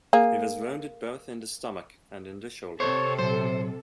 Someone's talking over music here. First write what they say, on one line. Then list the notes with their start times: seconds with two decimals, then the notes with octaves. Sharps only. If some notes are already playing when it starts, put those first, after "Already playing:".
He was wounded in both the stomach and in the shoulder.
0.13 A#3 G#4
2.80 C3 A4 C5 C#5
3.19 A#2 F#3 C5